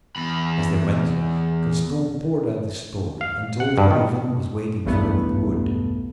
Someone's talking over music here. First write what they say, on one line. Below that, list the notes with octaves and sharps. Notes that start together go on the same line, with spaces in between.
As they went, Gaston poured out his story, and told how Yvonne was waiting for them in the wood.
E2 B5
F5
F#5
G2
D#3
B1 E2 G2 A3 B3